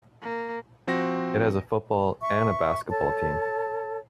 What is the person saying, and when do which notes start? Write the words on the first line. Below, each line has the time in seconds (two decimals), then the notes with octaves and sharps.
It has a football and a basketball team.
0.22 A#3
0.87 F3 C4 F#4 A#6
2.21 E5 C#6
2.89 A4 C#5 A5